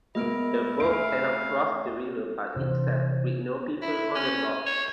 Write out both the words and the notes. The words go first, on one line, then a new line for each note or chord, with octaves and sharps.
The boat cannot cross the river by itself with no people on board.
G#3 A#3 B3 E4 D#5 F6 D7
A3 E5 F5 G#5 D7
C3 E3 C5
E4
C#4
C#5